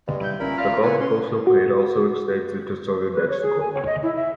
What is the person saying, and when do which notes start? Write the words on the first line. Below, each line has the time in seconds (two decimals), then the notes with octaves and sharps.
The Gulf Coastal Plain also extends into southern Mexico.
0.08 G2 G#3
0.20 G3 E4 G6
0.40 G#1 A#2 C#4 E4 A#4 B5
0.58 F4 D5 E5 F5 A#5 F6
0.83 C#3 E4 F4 B4 F#5 G#5
1.00 C#4 C6
1.47 F#4
3.14 B4
3.29 C#5
3.42 G#4
3.60 G#5
3.74 C#5
3.86 D#5
4.03 E4
4.15 E5